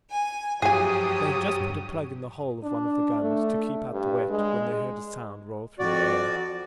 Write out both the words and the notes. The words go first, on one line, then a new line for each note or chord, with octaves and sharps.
They had just put a plug in the hole of one of the guns, to keep out the wet, when they heard a sound roll through the air.
G#5
G2 F3 F#3 G4 G#4 G#5 D#6
D4
A3
G2
G#3
F2 F#4 D5